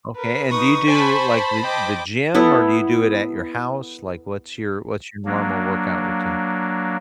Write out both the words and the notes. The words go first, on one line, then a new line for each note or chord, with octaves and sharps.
okay, and do you do, like, the the gym, or do you do it at your house? Like, what's your what's your normal workout routine?
A#4 B4
D#4 B4 C#6 D#6
C5 G#5 A5 B5
D#5 G5 D6
B3 E4 A4
F#3 A#3 D4